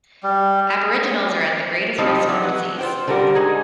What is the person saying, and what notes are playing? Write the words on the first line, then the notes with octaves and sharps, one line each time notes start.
Aboriginals are at the greatest risk from disease.
G3
F3 G3 C4 D#4 G4
F#3 G3 G4 E5
B4 F#5
F4 C5 G5
D3 G3 G4 A#4 F#5
G#3 D#4 G#4